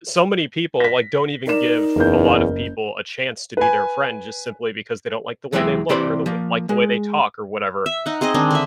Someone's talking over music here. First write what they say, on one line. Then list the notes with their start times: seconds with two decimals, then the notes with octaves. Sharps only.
so many people, like, don't even give a lot of people a chance to be their friend, just simply because they don't like the way they look or the w like the way they talk, or whatever,
0.80 A#6 B6
1.47 D#4 A#4 D5 E7
1.96 F#1 E2 A#4 G6
3.57 B4 G#5
5.53 E2 E3 F#3 G#3 E5 G5
5.89 C3 E3 G4 C5 D5 B5
6.26 F3 A#3
6.69 G#3
7.86 E5
8.06 D#4 F#5
8.21 C4 G#4 C5 D#5
8.34 D#3 G#3 C4 D4
8.51 D3 E5